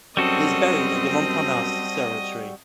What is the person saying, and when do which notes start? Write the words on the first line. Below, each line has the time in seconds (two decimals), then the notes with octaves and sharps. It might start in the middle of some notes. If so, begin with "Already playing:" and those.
He is buried at the Montparnasse Cemetery.
0.17 F#2 G3 C4 F#4 A4 D#5